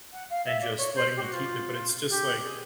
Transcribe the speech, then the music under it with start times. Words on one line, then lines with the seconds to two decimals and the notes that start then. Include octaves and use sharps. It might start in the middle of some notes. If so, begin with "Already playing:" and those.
and just letting me keep it, but it's just like,
0.12 F#5
0.29 F5
0.45 E5
0.61 D5
0.77 C#5
0.95 C5
1.16 G4
1.22 F#4
1.32 F4
2.09 G4
2.42 G#4